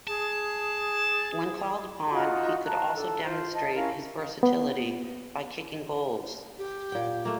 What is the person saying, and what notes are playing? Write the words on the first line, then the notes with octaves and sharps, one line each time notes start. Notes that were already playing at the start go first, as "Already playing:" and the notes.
When called upon, he could also demonstrate his versatility by kicking goals.
G#4 A5
D#4 F4 F#4 D#5
F5 A5 A#5 F#6
D4 A4
F4 C5
D#5 A5
C#4 E4 A#4 F5
B3
G4
A#2 G5
A3 A#3